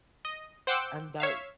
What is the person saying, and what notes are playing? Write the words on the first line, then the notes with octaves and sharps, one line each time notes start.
And that
D#5
C5 F#5 G5 D6 E6 G6
C#5 E5 F5